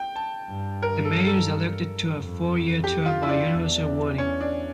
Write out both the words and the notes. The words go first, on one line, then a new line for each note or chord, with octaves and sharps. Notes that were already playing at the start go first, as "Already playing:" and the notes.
The mayor is elected to a four-year term by universal voting.
Already playing: G5
A5
G2
A#4
A4
A4
F2
G4
F4
E4
D4
E2
C#4
D4